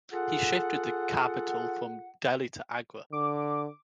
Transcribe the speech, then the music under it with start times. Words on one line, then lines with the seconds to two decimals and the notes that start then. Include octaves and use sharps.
He shifted the capital from Delhi to Agra.
0.13 F4 G#4 A4 F#5
3.12 D3 D6